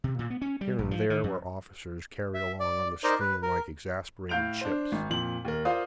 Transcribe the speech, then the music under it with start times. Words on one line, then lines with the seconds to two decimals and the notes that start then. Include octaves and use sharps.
Here and there were officers carried along on the stream like exasperated chips.
0.04 C3
0.19 A#2
0.30 B3
0.42 C#4
0.61 G3
0.79 A#1
0.91 F3
1.10 D#3
1.24 F#2
2.34 E5
2.60 D5
3.04 D#4 A#4 C5 D5 D#5
3.20 B4
3.43 A#4
4.29 A2 F5 G6 D7 F7
4.61 D4 C5
4.92 G#1
5.10 F2 A#2 F#7
5.45 D#2 A#4
5.65 F4 A#4 C5 D5 F5 D#6